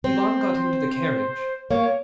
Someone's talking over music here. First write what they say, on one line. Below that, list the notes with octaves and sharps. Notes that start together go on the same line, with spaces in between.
Ivan got into the carriage.
C4 C5
A#3 C#5